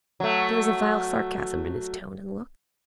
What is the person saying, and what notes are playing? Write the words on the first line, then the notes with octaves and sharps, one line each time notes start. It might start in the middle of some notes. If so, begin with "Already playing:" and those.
There was a vile sarcasm in his tone and look.
F#3 A3